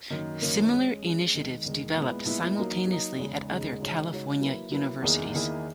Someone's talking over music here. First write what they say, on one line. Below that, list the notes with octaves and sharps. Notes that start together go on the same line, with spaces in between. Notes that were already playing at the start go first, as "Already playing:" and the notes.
Similar initiatives developed simultaneously at other California universities.
F#2 D#3 A#3
F#2 D#3 A#3
G#3 C#4 G#4
G#3 C#4 G#4
E2 D#3 G#3
E2 D#3 G#3
A#2 G#3 B3 E4
A#2 G#3 B3 E4
F#3 A#3 D#4
F#3 A#3 D#4
E2 C#3 G#3 D#4
E2 C#3 G#3 D#4
C#3 G#3 D#4 F#4 C#5
C#3 G#3 D#4 F#4 C#5
F#3 A#3 E4 B4
F#3 A#3 E4 B4
E2 D#3 A#3 E4 G#4
E2 D#3 A#3 E4 G#4